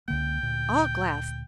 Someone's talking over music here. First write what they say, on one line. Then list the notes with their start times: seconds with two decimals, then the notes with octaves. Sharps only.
"All glass."
0.08 C#2 D3 A#3 G5
0.43 D2 A#2